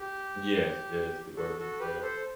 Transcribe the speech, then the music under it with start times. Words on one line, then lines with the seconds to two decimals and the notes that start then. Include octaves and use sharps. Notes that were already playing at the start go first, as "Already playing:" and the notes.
Yes, yes. The Oregon Trail.
Already playing: G4
1.37 F#4 A4
1.59 F#4 A4
1.79 G4 B4
2.02 A4 C5